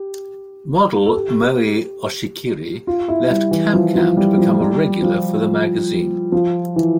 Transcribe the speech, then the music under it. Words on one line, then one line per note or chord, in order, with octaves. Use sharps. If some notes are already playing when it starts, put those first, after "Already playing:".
Model Moe Oshikiri left "CanCam" to become a regular for the magazine.
Already playing: G4
A4
G4
F4
E4
G3
E3
F3
F3
G3
F3
G3
F3
F3
E3